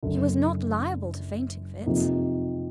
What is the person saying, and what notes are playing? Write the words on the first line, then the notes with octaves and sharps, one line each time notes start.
He was not liable to fainting fits.
F#1 F#2 D3
F2 C3 F3 A#3 D#4